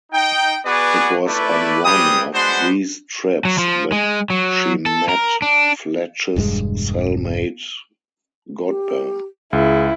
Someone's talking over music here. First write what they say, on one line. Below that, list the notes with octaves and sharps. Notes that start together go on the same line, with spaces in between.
It was on one of these trips that she met Fletch's cell-mate Godber.
D#4 G5
B3 F#4 G#4 B4 D5 G#5
A3 E4 B4 D5
G3 C4 G4 G#4 B4 D#6
G#3 B3 D4 F#4 C5
F#3
F3
G#3
F#3
A4
A#4
D4
E1 G2 G#3
G4
C#2 E4 G#4